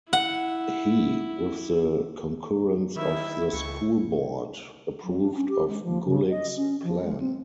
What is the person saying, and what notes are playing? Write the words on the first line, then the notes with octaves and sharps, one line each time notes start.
He, with the concurrence of the school board, approved of Gulick's plan.
E4 F#5
D#3 E4 E5
C#2 C#6
F#3
D4
C#4
G4
G#3
F3
C#3
D#5
C#4
F3
G#3
C4